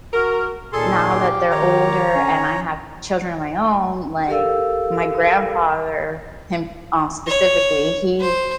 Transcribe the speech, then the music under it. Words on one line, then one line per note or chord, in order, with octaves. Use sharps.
now that they're older, and I have children of my own, like, my grandfather him, um, specifically he
F#4 A#4
D#2 A#2 G#4 A4 C6
F4 G4
D#3 C#5 A#5
D3 C#4
G4 A4 A#4 F5 E6
C#5
C5